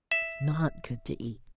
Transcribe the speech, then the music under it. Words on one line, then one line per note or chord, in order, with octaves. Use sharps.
"It's not good to eat."
E5